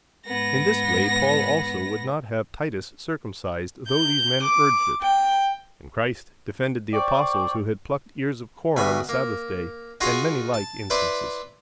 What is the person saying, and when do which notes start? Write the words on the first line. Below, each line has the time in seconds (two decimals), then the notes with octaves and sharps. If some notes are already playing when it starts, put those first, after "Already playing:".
In this way Paul also would not have Titus circumcised, though these men urged it; and Christ defended the Apostles, who had plucked ears of corn on the Sabbath day; and many like instances.
0.25 G#2 B3 A#6
3.87 G6
4.43 D6
5.03 G5
6.93 C5 D5 G5 C#6
8.77 D2 B2 G#5 B5
9.09 A#3
10.01 D#4 F4 F#4 G#4 F5 G#5
10.54 A5
10.90 E4 B4 C5 D5